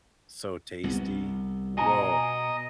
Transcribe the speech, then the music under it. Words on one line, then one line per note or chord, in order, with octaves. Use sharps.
So tasty. Woah.
C2 B3
B2 D#5 G#5 A#5